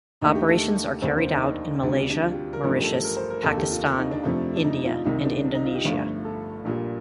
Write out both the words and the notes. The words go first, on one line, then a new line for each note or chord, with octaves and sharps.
Operations are carried out in Malaysia, Mauritius, Pakistan, India and Indonesia.
D#2 D3 A3 D#4
G4
A4
F1 D#2 D3 C5
C5
D#4
D4
D2 C3 G3 D4
D4
D4
F4
G4
A#4
A1 G2 F3 A3 A#4
G4
A4
A#4
C5
A#4
F1 D#2 D3 A4
G4
F4
D#4
D4
F2 C3 F3 A3
D4
D#4
F4
C2 C3 D#3 D#4
D4
D4
D#4
F4
G4
G1 G2 F3 A3 F4
A4
A#1 A#2 G3